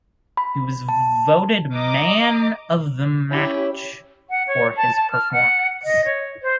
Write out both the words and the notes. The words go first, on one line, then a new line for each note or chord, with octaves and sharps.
He was voted man of the match for his performance.
B5
A5
D#5 A#5 D6 D#6
C#4 E4 G4
F#5
C#5
A5
A5
F6
F#5
D#5
C#5
C5